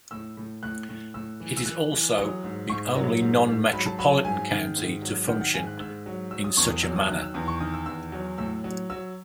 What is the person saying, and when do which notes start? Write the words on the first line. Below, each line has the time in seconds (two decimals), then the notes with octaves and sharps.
It is also the only non-metropolitan county to function in such a manner.
0.11 A2 E6
0.37 A2
0.63 A2 F#6
0.89 A2
1.14 A2 E6
1.40 E3
1.57 E6
1.66 E3 F#6
1.92 E3
2.18 F#3 D#6
2.44 G#2
2.70 G#2 C#6
2.95 F#3
3.21 G#2
3.47 G#2
3.73 F#3 B5
3.86 A5
3.99 F#3 B5
4.12 A5
4.25 G#2 G#5
4.51 D#3
4.76 G#2
5.02 F#3
5.28 D#3 F#5
5.41 F#5
5.54 G#2 G#5
5.67 F#6
5.80 G#2 E6
6.06 F#3
6.31 F#3 E6
6.44 D#6
6.57 E2 C#6
6.70 D#6
6.83 F#3 E6
6.96 D#6
7.09 D#3 F#6
7.22 E6
7.34 E2 D#6
7.48 C#6
7.60 D#3 D#6
7.74 E6
7.86 E2 E6
8.12 F#3
8.38 A2 E6
8.64 F#3
8.90 F#3 E6